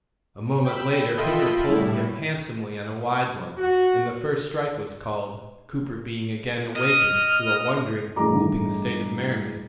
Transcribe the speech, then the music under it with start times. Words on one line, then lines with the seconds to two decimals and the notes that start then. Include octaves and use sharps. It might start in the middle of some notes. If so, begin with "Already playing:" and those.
A moment later Hooker pulled him handsomely on a wide one, and the first strike was called, Cooper being again awakened to a wondering, whooping state of merriment.
0.65 G5 B5 E6
1.17 F4 A4 D#5 E5 G5 B5
1.68 A2 G3 E4
3.58 F#4
6.76 D#5 F6
8.16 A1 G2 A3 G#4 A#5 D6